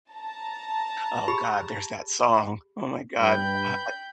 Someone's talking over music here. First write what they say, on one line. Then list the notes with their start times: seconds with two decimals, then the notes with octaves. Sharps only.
"Oh, god, there's that song. Oh, my god, ha it"
0.11 A5 A#5
1.28 G4 G#4 B5
3.19 G2 B4 G5 B5 G6